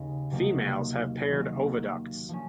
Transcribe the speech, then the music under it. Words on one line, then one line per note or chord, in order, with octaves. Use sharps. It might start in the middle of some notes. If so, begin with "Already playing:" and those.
Females have paired oviducts.
Already playing: D#2 C#3 G#3 D#4
C3 F#3 A#3 D#4
D#3 F#3 A#3 F4
F3 A#3 C#4